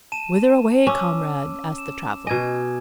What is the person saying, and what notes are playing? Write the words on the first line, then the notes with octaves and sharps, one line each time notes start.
"Whither away, comrade," asked the traveller.
A5 D#7 E7
C#4 D6 E6
E7
B2 D#5 G#5 G#6